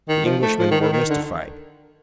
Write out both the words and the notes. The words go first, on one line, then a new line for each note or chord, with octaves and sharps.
The Englishmen were mystified.
D#3
F3
A3
F3
D#3
D#3
D#3
D3